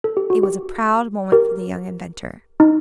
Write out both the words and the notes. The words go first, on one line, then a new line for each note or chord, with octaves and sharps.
It was a proud moment for the young inventor.
A4
G4
F#4
G4
G4 A#4
D#4